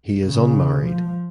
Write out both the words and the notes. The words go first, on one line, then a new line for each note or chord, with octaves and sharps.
He is unmarried.
C#3
F3